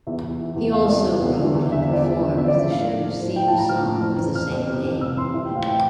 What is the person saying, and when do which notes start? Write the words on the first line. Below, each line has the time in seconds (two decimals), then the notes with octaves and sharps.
He also wrote and performed the show's theme song of the same name.
0.07 E2 E5
0.23 E2
0.40 E3
0.56 E2
0.73 E2 F5
0.89 C3 D5
1.06 E2 E5
1.22 E2
1.39 D3
1.55 E2
1.71 D3 E5
1.82 E5
1.88 F3
1.93 D5
2.05 E2
2.21 D3
2.37 E2 E5
2.48 D5
2.54 F3
2.59 E5
2.70 A2 F5
2.87 F3
3.03 A2
3.20 F3
3.36 F3 G5
3.48 A5
3.53 A2
3.58 A#5
3.69 F3 F6
3.86 A2
4.02 F2
4.18 E3
4.35 F2 F6
4.52 F2
4.68 C3
4.85 F2
5.01 F2 E6
5.17 E3 C6
5.34 E3 E5
5.45 G5
5.51 A2
5.56 F5
5.67 E3 G5